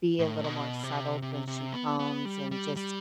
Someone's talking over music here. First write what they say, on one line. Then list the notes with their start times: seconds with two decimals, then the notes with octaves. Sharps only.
be a little more settled when she comes and just
0.19 A2
0.44 B2
0.83 C3
1.22 C3
1.47 C3
1.74 B3
1.99 B3
2.25 G3
2.51 G3
2.76 G3